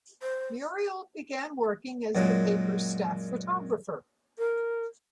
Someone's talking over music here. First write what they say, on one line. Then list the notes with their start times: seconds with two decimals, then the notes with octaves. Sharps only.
Muriel began working as the paper's staff photographer.
0.22 C5
2.15 F#2 A#2 F#3 G#3
4.39 A#4